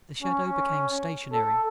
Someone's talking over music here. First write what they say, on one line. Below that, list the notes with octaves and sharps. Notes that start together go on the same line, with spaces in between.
The shadow became stationary.
C#4
A4